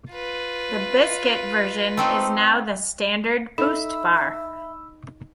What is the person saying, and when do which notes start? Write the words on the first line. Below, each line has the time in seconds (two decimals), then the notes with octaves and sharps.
The biscuit version is now the standard Boost bar.
0.11 F4 B4
1.97 A3 C4 D#4
3.58 D#4 A4 E5 B5 E6